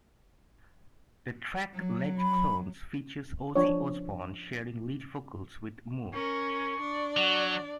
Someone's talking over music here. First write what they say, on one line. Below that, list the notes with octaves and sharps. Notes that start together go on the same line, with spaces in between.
The track "Led Clones" features Ozzy Osbourne sharing lead vocals with Moore.
F#3
B5
F3 D4 C#5
C#4 A#4 C#6
D4 D5
F#3 F#4